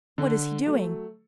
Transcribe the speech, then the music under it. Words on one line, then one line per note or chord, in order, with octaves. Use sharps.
What is he doing?
D3
F#3 A3